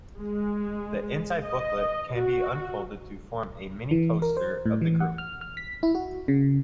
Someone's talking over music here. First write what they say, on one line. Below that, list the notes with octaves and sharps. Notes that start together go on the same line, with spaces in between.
The inside booklet can be unfolded to form a mini-poster of the group.
G#3
D#5
F#4
E3
A#4
C5
A2
E3
F#5
F6
F6
B6
E4
F#4
C#3